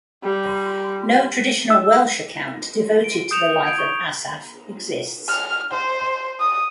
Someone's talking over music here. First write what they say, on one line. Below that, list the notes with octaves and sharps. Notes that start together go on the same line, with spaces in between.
No traditional Welsh account devoted to the life of Asaph exists.
G3
E6
D7 G7
D#6 G6 C#7 E7 F7
G6 G#6 D7
C#6 F7
F6
C5
D#6